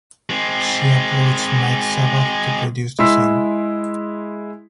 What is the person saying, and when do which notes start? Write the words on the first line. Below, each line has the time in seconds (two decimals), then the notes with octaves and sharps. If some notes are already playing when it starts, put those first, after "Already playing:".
She approached Mike Sabath to produce the song.
0.30 G#3 C4
2.99 G#3 E4 C6 E6 B6